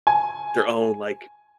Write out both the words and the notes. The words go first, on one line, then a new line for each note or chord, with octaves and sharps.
their own, like,
G#5